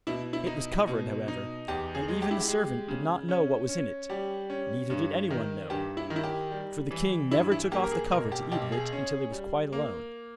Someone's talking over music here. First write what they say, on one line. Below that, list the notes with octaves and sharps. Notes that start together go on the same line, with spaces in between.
It was covered, however, and even the servant did not know what was in it, neither did anyone know, for the king never took off the cover to eat of it until he was quite alone.
B2 E4
E4
D#4
B2
D#4
E2 G4
G#4
G#3
G4
E4
G4
G#3
C#3
C#4
C#4
G3 G4
C#4
G2
D#3
G2 G4
E4
D#3
E4
G4
G3
E3
G2 E4
E4
A#3 G4
A#4
G#4
B1 A#4
G4
B1 G4
G#4
C#4
G3
A#3